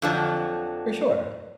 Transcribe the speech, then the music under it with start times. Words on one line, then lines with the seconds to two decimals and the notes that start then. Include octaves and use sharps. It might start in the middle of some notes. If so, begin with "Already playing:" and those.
For sure.
0.02 F2 D3 F3 F#3